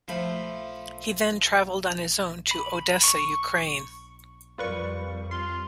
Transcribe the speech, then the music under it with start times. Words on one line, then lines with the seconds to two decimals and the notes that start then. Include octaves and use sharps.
He then travelled on his own to Odessa, Ukraine.
0.08 F3 A3 B5
2.51 B5
3.04 C#6
4.58 F2 G3 F4 A#4 B4 D5 C#6
5.31 F4 C6